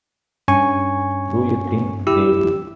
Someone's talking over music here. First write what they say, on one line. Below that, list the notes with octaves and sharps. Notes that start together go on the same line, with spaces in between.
Do you think they do?
G2 C#4 G#5 C#6
E4 G4 E6